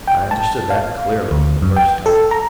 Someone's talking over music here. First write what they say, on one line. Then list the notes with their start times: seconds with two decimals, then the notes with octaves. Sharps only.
I understood that clearly, for the first time.
0.08 G5
0.31 A5
0.70 F5
1.31 D2
1.62 F#2
1.76 G5
2.06 A4
2.31 A#5